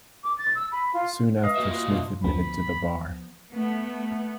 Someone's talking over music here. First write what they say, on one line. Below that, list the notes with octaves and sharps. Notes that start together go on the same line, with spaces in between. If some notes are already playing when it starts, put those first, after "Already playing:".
Soon after Smith admitted to the bar.
D6
A6
E6
B5
F4
B4 D#5 F5
A#3 F#4 E5 E7
F4 C6 F#6
G2 B2 D4 F4
D2 F3 B3 B5
A3 B3